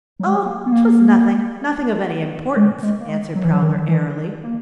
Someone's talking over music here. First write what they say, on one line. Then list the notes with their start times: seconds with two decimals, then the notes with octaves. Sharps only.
"Oh, 'twas nothing--nothing of any importance," answered Prowler airily.
0.19 F#3
0.26 G#3
0.34 F#3
0.46 A#3
0.66 B3
0.72 A#3
2.56 G#3
2.83 G#3
3.00 A#3
3.09 G#3
3.35 F#3
3.44 E3
3.53 F#3
3.62 D#3
3.88 E3
4.43 A#3